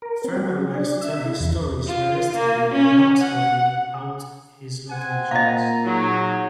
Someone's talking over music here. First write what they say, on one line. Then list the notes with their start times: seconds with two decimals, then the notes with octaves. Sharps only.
Furman likes to tell his stories realistically with maps helping out his locations.
0.02 A#4
0.24 C4
0.37 F#3
0.74 D4
1.02 E5
1.25 E4
1.40 E2
1.87 F4
2.34 A#3
2.71 C#4
3.20 F#5
4.90 C4 F#5 G#5
5.31 A#2 D#5 F5 A#5
5.85 F#3 D#4 G#4